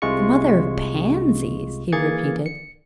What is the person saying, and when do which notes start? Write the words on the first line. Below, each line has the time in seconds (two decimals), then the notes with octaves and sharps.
"The Mother of Pansies!" he repeated.
0.02 C2 C3 G#3 F4 C#6 C#7
1.92 E3 A#3 G#4 G#6 A6 C#7
2.46 C#7